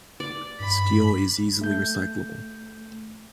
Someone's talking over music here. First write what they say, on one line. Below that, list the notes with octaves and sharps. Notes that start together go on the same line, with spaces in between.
Steel is easily recyclable.
D5
G2 B5
A3 G6